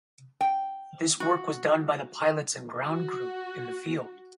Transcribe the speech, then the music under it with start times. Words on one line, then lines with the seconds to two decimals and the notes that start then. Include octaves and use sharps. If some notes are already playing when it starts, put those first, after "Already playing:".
This work was done by the pilots and ground crew in the field.
0.41 G5
1.20 F#4
2.89 F#4